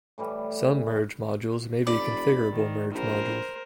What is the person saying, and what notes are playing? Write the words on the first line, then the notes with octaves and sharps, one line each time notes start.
Some merge modules may be configurable merge modules.
A2 E3 G3
F1 D5 B5
D#3
A#1 A#4 C5